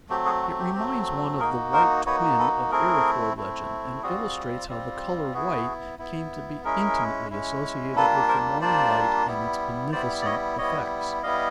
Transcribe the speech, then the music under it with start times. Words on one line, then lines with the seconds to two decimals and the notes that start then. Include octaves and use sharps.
It reminds one of the white twin of Iroquois legend, and illustrates how the color white came to be intimately associated with the morning light and its beneficent effects.
0.09 F#3 A3 C4 G4
0.26 F#4 G#4
0.42 F#4
0.58 G4
0.75 F#3 A3 C4
1.40 A#3 D#4 F#4 G#4 A#4
1.73 A#4 C5
2.06 A#3 D#4 F#4 B4 C#5
2.39 A4 B4
2.71 A3 C4 E4 G#4 A#4
3.36 A3 C4 E4
4.03 G3 C4 F4 F#4 G#4
4.68 G3 C4 F4
5.33 B3 E4 F#4 G#4
5.99 B3 E4
6.64 G#3 C#4 E4 G#4 A#4
7.30 G#3 C#4 E4
7.95 G3 A#3 D4 F4 A4 B4
8.28 A#4 C5
8.61 G3 A#3 D4 F4 C5 D5
9.26 G3 B3 E4
9.92 G3 B3 E4 C5 D5
10.21 D5
10.25 C#5 D#5
10.58 G3 B3 E4 C#5 D#5
11.23 G3 B3 E4 D#5 F5